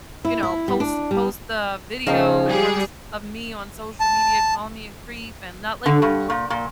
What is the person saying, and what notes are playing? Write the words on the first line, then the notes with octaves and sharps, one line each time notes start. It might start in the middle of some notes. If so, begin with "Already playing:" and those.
you know, post post the video on s of me on social media calling me a creep and not, like"
E4
E4
G3
D4
G3
C#3 F3 C4 C#4 D#4 F5 A5
G3 G#4
A5
D3
G2
A#2
A#2